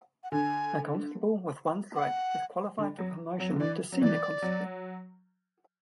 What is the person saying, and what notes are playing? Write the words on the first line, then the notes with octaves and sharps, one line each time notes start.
A Constable with one stripe is qualified for promotion to Senior Constable.
F#5
D3 G#5
F#5
D3
F#3
F#3
D3
E3 D5
F#3
E3 D5
F#3